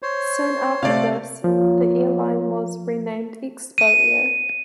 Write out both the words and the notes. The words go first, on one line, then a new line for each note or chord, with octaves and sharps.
Soon after this, the airline was renamed ExpoAir.
C5 C#5
C3 A3 D5 F5
F3 A#3 F4 C#5
D#7